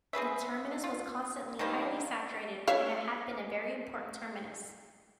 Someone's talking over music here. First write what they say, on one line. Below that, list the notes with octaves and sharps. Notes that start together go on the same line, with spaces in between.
The terminus was constantly highly saturated and it had been a very important terminus.
C4 G#4 B4 E5
F4
D#3 F3 G3 A#3
C#5 E5 F5